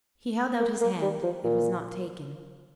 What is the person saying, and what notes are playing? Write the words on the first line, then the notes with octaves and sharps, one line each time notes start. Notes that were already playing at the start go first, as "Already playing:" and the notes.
He held out his hand; it was not taken.
A#3
A#3
G3
F3
A#2